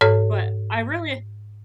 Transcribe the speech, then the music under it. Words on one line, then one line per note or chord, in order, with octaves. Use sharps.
But I really
G#2 A4 C#5 F6